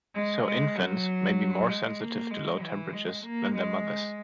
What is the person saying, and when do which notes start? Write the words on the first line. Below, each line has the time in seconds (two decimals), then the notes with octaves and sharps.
So infants may be more sensitive to low temperatures than their mothers.
0.15 G#3
0.46 G#3
0.76 F#3
1.68 G#3
2.00 A#3
2.30 G#3
2.62 E3
2.93 G#3
3.23 A#3
3.55 G#3